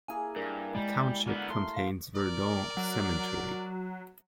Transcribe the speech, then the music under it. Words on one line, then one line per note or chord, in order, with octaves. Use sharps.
The township contains Verdon Cemetery.
A#3 E4 G#4 G#5
G2 A#4
G3 G#3
D3 B3 A#4
A3 C6
F5
A#4 D5
F#3